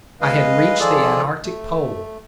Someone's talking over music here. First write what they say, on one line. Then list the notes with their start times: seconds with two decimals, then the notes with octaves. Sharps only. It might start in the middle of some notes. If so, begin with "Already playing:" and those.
I had reached the antarctic pole.
0.21 G#3 B4 D#5 F5
0.80 D#3 F3 F4 G#4 A4 D5
1.43 A3